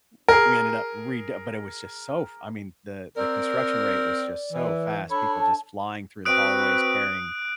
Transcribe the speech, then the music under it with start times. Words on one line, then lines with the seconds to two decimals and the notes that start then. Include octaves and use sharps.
w we ended up redo but it was just so f I mean, the the construction rate was just so fast. People just flying through the hallways carrying
0.28 G#4 A#4
3.16 C4 A#4 D5
4.53 E3
5.11 D4 A4 C#5 B5
5.39 A5
6.25 C4 F#4 B4 D#6 F#6 D7